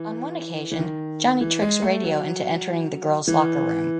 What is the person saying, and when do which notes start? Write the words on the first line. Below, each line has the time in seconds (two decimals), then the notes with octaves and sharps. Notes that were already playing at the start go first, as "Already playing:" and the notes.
On one occasion, Johnny tricks Radio into entering the girls locker room.
Already playing: E3
0.71 E3
0.79 D#3
1.41 E3
1.62 G#3
1.82 A3
2.04 F#3
3.28 E3